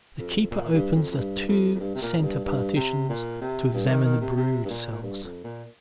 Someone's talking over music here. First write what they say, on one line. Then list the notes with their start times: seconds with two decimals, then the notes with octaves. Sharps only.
The keeper opens the two center partitions to examine the brood cells.
0.19 F2
0.51 A#2
0.73 G2
0.94 F2
1.11 F2
1.16 G2
1.48 F2
1.75 F2
1.79 G2
1.95 C3
2.02 A#2
2.19 F2
2.23 G2
2.45 G2
2.76 C3
3.09 A#2
3.41 C3
3.73 G2
3.90 D#3
4.05 D#3
4.21 C3
4.37 C3
4.65 G2
4.70 A#2
4.92 A#2
5.02 G2
5.23 F2
5.44 A#2